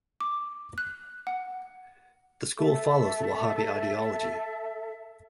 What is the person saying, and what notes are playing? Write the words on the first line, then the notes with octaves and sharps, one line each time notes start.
The schools follows the Wahhabi ideology.
D6
F#6
F#5
A4 E5